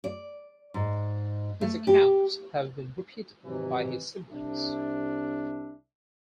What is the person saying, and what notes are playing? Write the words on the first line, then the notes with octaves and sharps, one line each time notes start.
His accounts have been repeated by his siblings.
D5
G#2
A3
G4
G#1 C3 E3 F#3 D#4 B4
C2 D4 E5